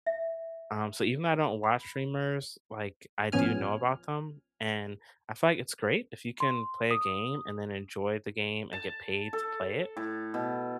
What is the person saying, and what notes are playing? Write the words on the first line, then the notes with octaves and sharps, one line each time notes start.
Um, so even though I don't watch streamers, like, I do know about them, and I feel like it's great if you can play a game and then enjoy the game and get paid to play it,
E5
B5
A1 F3 B3 C#4 G#5 F6
C6
D#6
A5
A4
A2
B2